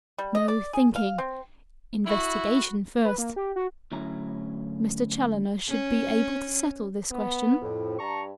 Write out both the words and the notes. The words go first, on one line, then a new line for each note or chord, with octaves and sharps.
No thinking! investigation first. Mr. Challoner should be able to settle this question.
G3
D#5
D5
G#4
F5
C4
E4 F#4 B5
B4
A#3
G4
F#4
D2 A2 F#3 C#4 E4 A#5
C#4
B3
F2 A2
G2 A5 A#5 C#6